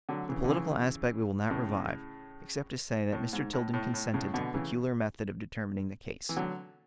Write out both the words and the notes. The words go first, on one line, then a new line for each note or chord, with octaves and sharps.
The political aspect we will not revive, except to say that Mr. Tilden consented to the peculiar method of determining the case.
D3 F#3
C#3 E3
D3
C#3 E3
A2 C#3
A2
G#2
A2
A2
A2
A2 C#3
B2 D3
C#3 E3
E3
D3 F#3